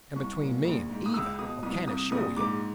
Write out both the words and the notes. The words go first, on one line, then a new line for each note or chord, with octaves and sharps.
"And between me and Eva, I can assure you."
C2 C#6
A#2
A#1
G#2
D#6
C#2 E6
B2 D#6
C2 D#6
C3 D#6
A#1 D#6
G#2 D6